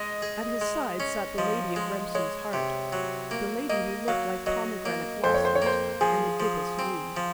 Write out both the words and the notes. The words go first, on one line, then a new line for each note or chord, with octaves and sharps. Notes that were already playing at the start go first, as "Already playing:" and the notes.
At his side sat the lady of Remsen's heart--the lady who looked like pomegranate blossoms and the gibbous moon.
Already playing: G#3 D#5
G#4
G#3
C#4
F3 D#5
G#3
G#3 C#5
C3
F#3
A#3
A#3 D#5
F#3 F5
F#3 D#5
A#3
F2 C5
C#5
C5
C#5
A#3 C5
F3 G#4
F3
C4
F3